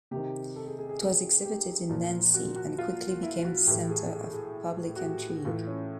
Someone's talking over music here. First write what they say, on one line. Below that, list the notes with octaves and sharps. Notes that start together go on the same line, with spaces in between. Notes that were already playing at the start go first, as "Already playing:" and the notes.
It was exhibited in Nancy and quickly became the center of public intrigue.
C3 D#3 G4
A4
G#4
G#4
G#4
G#4
G4
A#2 F3
F#4
F#4
F4
E4
F#4
A2 E3 G4
G#4
G#4
G#4
F#4
G4
A2 E3 F4
C#4